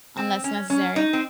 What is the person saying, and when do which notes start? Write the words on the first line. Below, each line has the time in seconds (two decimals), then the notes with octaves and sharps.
unless necessary,
0.17 C4
0.44 C#4
0.70 C#4
0.96 D#4
1.13 C4